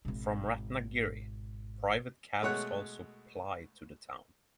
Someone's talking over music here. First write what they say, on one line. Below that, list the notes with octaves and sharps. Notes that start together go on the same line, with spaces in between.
From Ratnagiri, private cabs also ply to the town.
G#1 B2
B2 G#3 A3 C#5 F#5 F#6